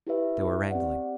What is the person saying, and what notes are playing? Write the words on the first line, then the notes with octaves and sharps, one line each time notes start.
They were wrangling.
E4 G4 B4 E5
C4 G4 D5 F#5